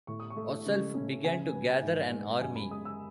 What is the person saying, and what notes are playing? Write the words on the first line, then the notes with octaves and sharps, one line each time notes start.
Osulf began to gather an army.
A2 C#6
D#6
C#6
A3
C#3
C#4
C#3 G#5
B3
G#2
G#3
F#2 G#5
B5
G#3 D#6
E6